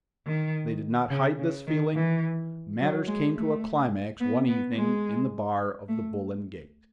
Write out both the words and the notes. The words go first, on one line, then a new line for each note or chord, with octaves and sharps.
They did not hide this feeling. Matters came to a climax one evening in the bar of the "Bull and Gate."
D#3
C#3
C#3
D#3
E3
F#3
G#3
A3
B3
B3
G#3
A3